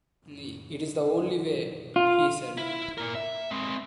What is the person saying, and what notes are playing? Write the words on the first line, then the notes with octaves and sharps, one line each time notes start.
"It's the only way," he said.
F4
E4
A#2 A#4
E5
G#3 C4